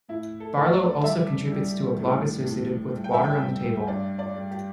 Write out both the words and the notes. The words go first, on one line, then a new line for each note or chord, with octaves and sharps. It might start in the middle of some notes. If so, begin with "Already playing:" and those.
Barlow also contributes to a blog associated with "Water on the Table".
A2 E4
A4
A2
D5
G3 E5
G3
A2
A2
G3
G5
E5
G5
G3
G2 D5
D5
G3
G4